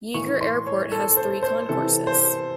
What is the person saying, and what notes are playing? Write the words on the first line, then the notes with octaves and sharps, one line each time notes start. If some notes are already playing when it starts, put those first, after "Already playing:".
Yeager Airport has three concourses.
A2 E3 C#6
C6
C#5
A4
C5
C5
C3 E3 A4
C5